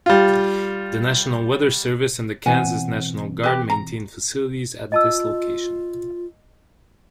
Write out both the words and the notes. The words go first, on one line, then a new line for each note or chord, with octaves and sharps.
The National Weather Service and the Kansas National Guard maintain facilities at this location.
G3 F4
B2 E3 C4 F#5 G#5
G4 B4
A#5
F4 D#5 A5 E6